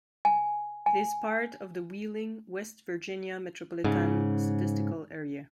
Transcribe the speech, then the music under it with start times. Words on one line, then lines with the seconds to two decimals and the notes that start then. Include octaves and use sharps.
It is part of the Wheeling, West Virginia Metropolitan Statistical Area.
0.25 G#5
0.86 G#5
3.84 G#2 C#3